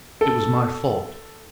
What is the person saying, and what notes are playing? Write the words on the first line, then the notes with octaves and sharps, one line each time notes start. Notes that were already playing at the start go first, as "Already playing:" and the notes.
It was my fault.
A4